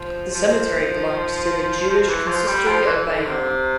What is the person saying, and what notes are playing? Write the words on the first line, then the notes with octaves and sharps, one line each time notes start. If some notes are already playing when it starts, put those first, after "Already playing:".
The cemetery belongs to the Jewish Consistory of Bayonne.
Already playing: F3
F3
F3
E3
F3
G3
F3
E3
D3
C3